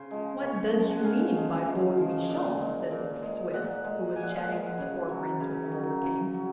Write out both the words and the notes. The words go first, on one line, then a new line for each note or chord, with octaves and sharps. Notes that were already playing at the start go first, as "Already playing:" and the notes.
"What does you mean by boor Michon?" said the Swiss, who was chatting with the four friends when the letter came.
Already playing: C#3 C5
F3 G#3
C#3 C#5
F3 G#3
G#5
F#5
C#3 F5
F3 G#3
C#3
F3 G#3
A#2
G#3
A#2
G#3
A#2 F#5
G#3
A#2 G#5
F#5
F5
F#5
G#3
C#3
F#3
C#3
F#3
C#3
F#3